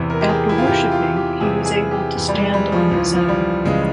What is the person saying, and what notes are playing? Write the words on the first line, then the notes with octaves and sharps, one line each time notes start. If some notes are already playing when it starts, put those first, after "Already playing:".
After worshiping, he was able to stand on his own.
Already playing: E2 C3 E3
A#4
G4
G#4
E4
F4
E2 C3 E3 G4
F4
G4
E2 C3 E3 G#4
G#4
G4
E2 C3 E3
G3
G#3
G3
F3
C#2 C#3 E3 F3
F3
G3
C#2 C#3 E3 G#3